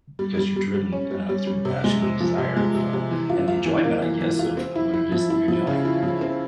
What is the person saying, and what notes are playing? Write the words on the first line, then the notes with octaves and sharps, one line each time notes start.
because you're driven, uh, through the passion and desire of, uh and the enjoyment, I guess, of what it is that you're doing.
G3
G3
G3
G3
C#4
G3
G3
G3
C3
G#3
C3
F3
C3
G#3
C3
C3
E3
F4
F4
E3
A#3
E3
E3
F4
C4
E4
E4
F3
E4
F3
C#3
E4
F3
C4